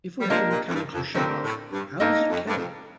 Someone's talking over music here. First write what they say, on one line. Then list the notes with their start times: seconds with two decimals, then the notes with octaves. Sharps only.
If we have a mechanical shark, how does it kill?
0.20 G3
0.30 F3 A#3 D4 G4 A#4 D#5
0.51 A#2
0.68 F2
0.73 G2
0.93 F2
1.14 F2 D3 A3 C4 G4 A#4
1.44 A2
1.72 G2
2.00 G2 A#3 D#4 A4 D#5
2.29 F2
2.47 G2
2.56 F2